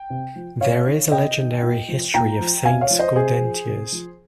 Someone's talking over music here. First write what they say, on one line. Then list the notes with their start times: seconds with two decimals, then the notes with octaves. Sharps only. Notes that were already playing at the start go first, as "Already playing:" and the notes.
There is a legendary history of Saint Gaudentius.
Already playing: G5
0.10 C3
0.36 F3
0.60 C3 C#5 F5
0.86 D#3
1.12 C3 D#5 G5
1.38 D#3
1.63 A#2
1.88 F3
2.14 A#2 G5 A#5
2.39 F3
2.65 C3 F5 G#5
2.81 C#5 F5
2.90 F3
2.99 C5 D#5
3.16 C3 G#4 C5
3.41 F3
3.67 C3
3.92 F3